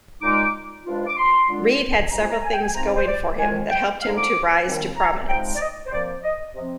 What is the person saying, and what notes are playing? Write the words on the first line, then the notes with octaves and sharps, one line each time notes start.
Reid had several things going for him that helped him to rise to prominence.
A#2 G#3 D#4 D6
G2 F3 G#3 D4 F4
D6
C6
D3 G#3 D4 F4
C2 C3 G3 A#3 F4 A#5
G#5
A#5
G#5
G5
G#5
C3 F3 C4 D#4 A#5
D5
C5
D5
F2 D#3 G#3 G#5
G5
D3 F3 G#3 D#4 F5
D6
D#2 D#3 G3 C4
A#5
C3 F3 G#3 D#4 G5
D5
D#5
C5
C3 F3 A#3 D5
D#5
C3 F3 C4 D#5